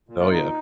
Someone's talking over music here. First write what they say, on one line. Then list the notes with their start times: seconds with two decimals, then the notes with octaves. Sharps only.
Oh, yeah.
0.09 A#2
0.19 F4
0.30 A#2 D#4